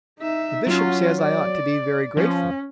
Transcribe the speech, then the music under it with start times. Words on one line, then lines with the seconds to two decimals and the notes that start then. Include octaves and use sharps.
The Bishop says I ought to be very grateful.
0.20 D#4 E5
0.67 F#3 C#4 F4
1.20 D5
2.17 F3 C#4